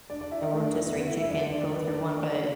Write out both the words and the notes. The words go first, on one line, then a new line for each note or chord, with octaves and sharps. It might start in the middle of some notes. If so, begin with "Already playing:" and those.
A rotisserie chicken go through one, but
D4 D5
D4 D5
E4 E5
D4 D5
A3 A4
D4 D5
E4 E5
B3 B4
B3 B4
E4 E5
E5
D4 D5
D4 D5
D5
B4
D4 D5